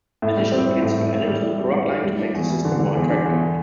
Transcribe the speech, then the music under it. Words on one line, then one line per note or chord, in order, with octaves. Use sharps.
Additional kits were added to the product line to make the system more attractive.
A2
G3
C4
C4
A2
A2
A2
G3
G3
G3
G3
G4
G3
D4
E2
G3
D3
D3
E2
D4
E2